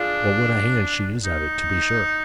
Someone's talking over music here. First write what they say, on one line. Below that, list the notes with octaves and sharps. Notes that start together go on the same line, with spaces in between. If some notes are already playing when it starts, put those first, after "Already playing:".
Well, what a hand she is at it, to be sure!'
Already playing: D4 F4 G#4 D5
D#4